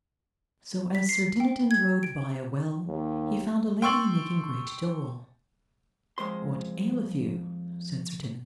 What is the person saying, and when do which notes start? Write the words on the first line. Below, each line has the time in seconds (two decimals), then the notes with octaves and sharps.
SO as Sir Dinadan rode by a well he found a lady making great dole. What aileth you? said Sir Dinadan.
0.95 B6
1.09 C7
1.40 G5
1.71 G#6
2.03 D7
2.87 D#2
3.82 G5 C6 C#6 E6 A6 F#7
6.18 F2 G#3 C5 C6